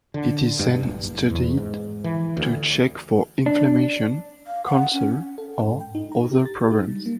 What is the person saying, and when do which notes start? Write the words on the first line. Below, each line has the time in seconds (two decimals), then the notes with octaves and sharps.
It is then studied to check for inflammation, cancer, or other problems.
0.14 D3
0.59 G2
0.83 D1
1.03 F#1
1.30 E2
1.57 G#2
2.04 E3
2.37 D2
3.46 D4
4.47 F5
4.65 F#5
4.93 C#4
5.38 A4
5.67 G#2
5.80 G5
5.95 D#4
6.12 A#5
6.31 G4
6.46 A6
6.71 D#4
6.88 G3
7.06 A#3